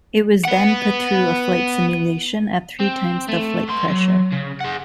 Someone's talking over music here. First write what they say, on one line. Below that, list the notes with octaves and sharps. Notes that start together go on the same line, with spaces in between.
It was then put through a flight simulation at three times the flight pressure.
B3 F#5
C4
A3
B3 C6
F#3
C#3
G#4 F#5